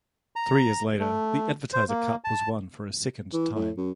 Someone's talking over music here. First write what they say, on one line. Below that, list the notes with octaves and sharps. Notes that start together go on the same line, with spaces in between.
Three years later the Advertiser Cup was won for a second time.
A#5
A3
C5
A#3
A5
E3
A2
F#2